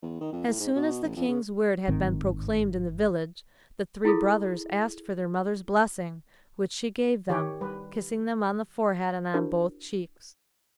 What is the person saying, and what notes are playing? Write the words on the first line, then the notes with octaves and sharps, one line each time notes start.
As soon as the King's word had been proclaimed in the village, the three brothers asked for their mother's blessing, which she gave them, kissing them on the forehead and on both cheeks.
E2
D#3
F2
A2
G#2
B2
A1
F2
C#3
G1 G#2 D#3 C4
E4 F4 G#4 A4
D#3 G4 C#5
G3 B4
D4 E4 F#4 A#4 C5